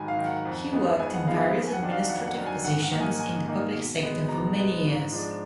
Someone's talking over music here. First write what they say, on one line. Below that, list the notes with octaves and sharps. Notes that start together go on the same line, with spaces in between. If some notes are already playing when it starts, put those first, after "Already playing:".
He worked in various administrative positions in the public sector for many years.
Already playing: G#2 D#3 F#3 G#5 A#5 B5
F5
D#3 F#3
F#5
F2
F3 G#3 B3 D#4
F2 G#5
F#5
F3 G#3 B3 D#4 F5
F5
F2
G#5
F#5
D#3 F#3 D4
F5
F2 F#5
F#5
D#3 F#3 D4
G#5
G#2 F#5
F#5
D#3 A#3 D#4
G#5
G#2 G#5
D#3 A#3 D#4
B2
G#3 B3 D#4
B2 A#5
G#3 B3 D#4
G#2
F3 G#3 D4